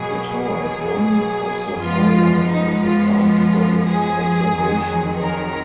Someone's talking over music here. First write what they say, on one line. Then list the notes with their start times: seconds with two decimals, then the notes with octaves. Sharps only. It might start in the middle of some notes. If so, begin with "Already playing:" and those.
The tower is one of the highlights of the park from its observation deck.
Already playing: B2 F#3 A#3 G#4
0.43 G#4
1.79 F#2 F3 G#3 B3 F4
2.49 D#4
2.83 F4
3.17 F4
3.86 G#4
4.54 F2 D#3 F#3
5.22 A#4